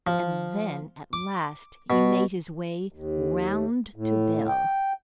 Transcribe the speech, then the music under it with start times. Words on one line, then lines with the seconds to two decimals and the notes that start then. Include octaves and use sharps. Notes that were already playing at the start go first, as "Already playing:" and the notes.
And then at last he made his way round to Bell.
0.07 F3
1.13 D6
1.90 B2
2.92 D#2
3.96 A2
4.48 G5